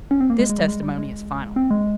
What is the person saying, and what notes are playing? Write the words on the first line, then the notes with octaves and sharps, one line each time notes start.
This testimony is final.
C#4
C4
A#3
G#3
G#3
G3
G#3
G3
G#3
C4
G#3